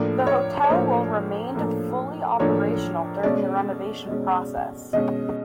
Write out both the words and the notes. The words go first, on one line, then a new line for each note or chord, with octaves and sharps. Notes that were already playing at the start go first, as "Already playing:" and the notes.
The hotel will remained fully operational during the renovation process.
Already playing: A2 F3 A#3 D4 D5
C#5
C#5
A2 F3 A#3 D4 C5
A2 F3 A#3 D4
A2 F3 A#3 D4 C#5
B2 G#3 C#4 D5
B2 G#3 C#4
B2 G#3 C#4 D#5